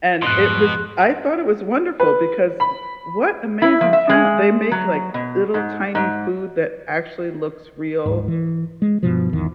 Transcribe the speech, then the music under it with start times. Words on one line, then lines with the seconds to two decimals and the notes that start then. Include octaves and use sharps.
And it was I thought it was wonderful because, w what amazing talent! They make like little tiny food that actually looks real.
0.22 F2 G#2 B2 C6 F#6
2.00 B4
2.60 B5
3.62 E4
3.81 F3
3.93 E5
4.09 G#3
4.71 F#3
5.14 B2
5.54 G#2
5.95 G#2
8.06 D1 G#2
8.28 E3
8.82 G#3
9.03 G2 B2 F3
9.33 G#1 E2 D#3